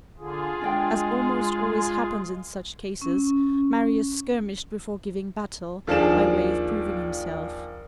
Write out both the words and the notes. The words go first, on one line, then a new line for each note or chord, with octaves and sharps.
As almost always happens in such cases, Marius skirmished before giving battle, by way of proving himself.
D3 F4 G#4
G#3 D4 D5 G5
C#4
D#2 F3 D4 G#4 E7